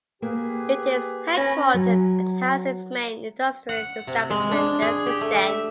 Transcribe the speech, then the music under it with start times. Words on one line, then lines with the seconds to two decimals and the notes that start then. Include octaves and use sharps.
It is headquartered and has its main industrial establishment there since then.
0.22 A#3 G4 G#4 B4
1.37 C#4 G#5 B5 A#6
1.74 F#3
3.69 F#5
4.07 C3
4.30 G#3
4.51 D4
4.82 G#4
5.06 G4
5.21 A3
5.35 E5